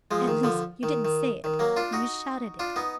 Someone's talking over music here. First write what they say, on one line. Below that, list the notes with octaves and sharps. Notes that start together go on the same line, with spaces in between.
"At least--you didn't say it--you shouted it!"
F3 G#3
D#3
D3 F3
D#3
D#3
D#3
F#3 A#3
D4 F4
D#4 F#4
D4 F4
B3 D#4